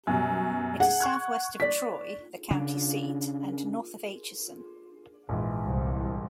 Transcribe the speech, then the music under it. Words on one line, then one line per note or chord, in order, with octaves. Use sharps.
It is southwest of Troy, the county seat, and north of Atchison.
F#2 B2 G3
G#4 F#5
C#6 F#6 G#6
D5 B6
C#3 D4
A#1 G#2 E3
C2